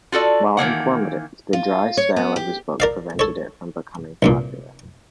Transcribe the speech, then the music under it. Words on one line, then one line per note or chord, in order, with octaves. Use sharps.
While informative, the dry style of his book prevented it from becoming popular.
F4 F#4 A4 D5
D#3 E3 A#3 F#5
F4
C#5
B3
G4
A#4 D5 F5
A4 C#5
C2 G2 A#2